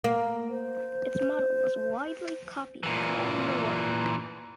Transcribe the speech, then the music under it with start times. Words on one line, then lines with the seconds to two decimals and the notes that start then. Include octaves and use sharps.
Its model was widely copied around the world.
0.04 A#3
0.50 C5
2.83 A#2 E3